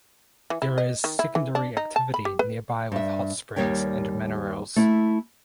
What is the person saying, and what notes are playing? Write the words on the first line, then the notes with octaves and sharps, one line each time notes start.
There is secondary activity nearby with hot springs and minerals.
E3
E4
D#5
D#3
E4
E3
D4
D#4
A5
B5
G4
B4
G2 E5
D#2 D#3 G3 A#4 C#5 G5
A3 E4